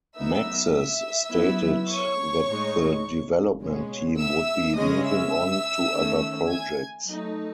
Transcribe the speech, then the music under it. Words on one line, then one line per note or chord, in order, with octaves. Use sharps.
Maxis stated that the development team would be moving on to other projects.
F#3 B3 D#4 E5 E6
E5 E6
F#3 B3 E4
C#5 C#6
A2 G#3 D#4
B2 G#3 C#4
E5 E6
C#3 G#3 C#4 D#5 D#6
E5 E6
D#3 A3 C#4
G#5 G#6
F#3 A3 D#4